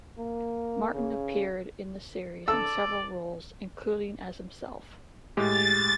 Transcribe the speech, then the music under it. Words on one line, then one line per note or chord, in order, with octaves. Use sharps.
Martin appeared in the series in several roles, including as himself.
A#3
C#3
A4 D5 E6
A2 G#3 G4 A6